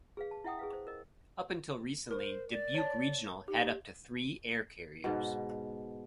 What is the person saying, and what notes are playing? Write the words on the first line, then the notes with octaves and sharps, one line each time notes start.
Up until recently, Dubuque Regional had up to three air carriers.
G#4 B4 F5
A5
E4 E5 F#5 G5 D#6
G#4 B4 F5
C5
A#4 D#5
A#4 C5
D5
C#5 A5
D#4 G4
G#2 B2